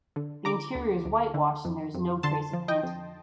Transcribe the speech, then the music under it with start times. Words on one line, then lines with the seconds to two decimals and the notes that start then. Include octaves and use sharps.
The interior is whitewashed and there is no trace of painting.
0.16 D3
0.45 D3 A#5 D6
0.75 D2
1.05 D2
1.34 D3
1.65 F2
1.94 F2
2.23 D3 A5 C6
2.53 F3
2.68 D#5 G5
2.83 F2